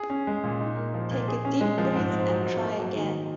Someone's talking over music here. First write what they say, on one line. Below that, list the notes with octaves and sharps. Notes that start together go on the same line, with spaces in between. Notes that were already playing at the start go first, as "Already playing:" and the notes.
Take a deep breath and try again.
Already playing: G#4
C#4
G#3
A#2
D#4
A#3
F3
A#2
G#4
C#4
G#3
F3
G#2
C4
F#3
G#2
A#3
F#3
D#3